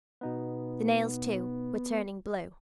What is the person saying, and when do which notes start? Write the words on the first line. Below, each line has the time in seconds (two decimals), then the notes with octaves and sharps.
The nails, too, were turning blue.
0.21 B2 B3 D#4 B4